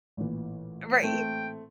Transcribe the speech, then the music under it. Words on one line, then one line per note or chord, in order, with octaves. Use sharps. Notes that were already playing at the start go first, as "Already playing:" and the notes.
Uh, right, e
A1 A#2 E3
A3 C4 G5